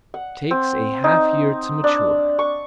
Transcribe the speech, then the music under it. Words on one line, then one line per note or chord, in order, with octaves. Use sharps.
Takes a half year to mature.
F#5
C4
D#4
D4
C#6